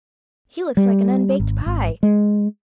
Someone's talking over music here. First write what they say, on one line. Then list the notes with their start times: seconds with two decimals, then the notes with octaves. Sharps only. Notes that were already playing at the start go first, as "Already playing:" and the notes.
"He looks like an unbaked pie!"
0.77 G3
1.40 G#1
1.66 G#1
2.03 G#3